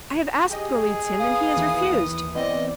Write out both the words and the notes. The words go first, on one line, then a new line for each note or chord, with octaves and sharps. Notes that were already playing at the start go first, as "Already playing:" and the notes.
I have asked Golitsyn and he has refused.
G4 G#4 D#5
B3 F5 D#6
D#2 E3
E3 B3 C4 D5 D#5